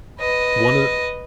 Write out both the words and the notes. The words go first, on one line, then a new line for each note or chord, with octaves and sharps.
one of
B4 D#5